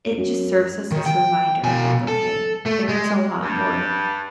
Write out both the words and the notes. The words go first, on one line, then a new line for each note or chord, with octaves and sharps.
it just serves as this reminder of, like, "Okay, there is a lot more
F#2
D#3
G5
B2 G#5
A4
A3
G#3
G2